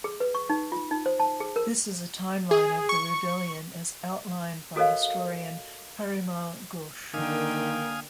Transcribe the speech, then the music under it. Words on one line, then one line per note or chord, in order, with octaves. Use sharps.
This is a timeline of the rebellion as outlined by historian Parimal Ghosh.
G#4
B4
C#6
D#4
F4
D#4
C5
A5
G#4
A#4
G#4
C#6
F#4 A4 A#4 C#5 D#5 F5
D3 D#3 A#3 A#4 F5 G5 G#5 D#6